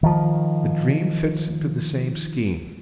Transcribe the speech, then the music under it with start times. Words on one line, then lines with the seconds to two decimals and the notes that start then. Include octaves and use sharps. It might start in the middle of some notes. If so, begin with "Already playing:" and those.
The dream fits into the same scheme.
0.03 D#3 F3